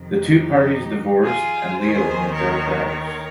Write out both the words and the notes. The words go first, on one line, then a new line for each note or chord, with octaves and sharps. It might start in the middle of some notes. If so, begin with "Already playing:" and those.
The two parties divorced and Leo moved out of the house.
Already playing: F2 C3 D#3
D#4 G4
F4 G#4
D#2 D#3 G#4 C5
A#4 C#5
A#4 C#5